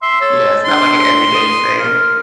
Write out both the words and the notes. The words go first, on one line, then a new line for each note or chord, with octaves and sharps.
Yeah, it's not like an everyday thing,
E5 C6
A4 C#5
D4 C6
D#6
A#4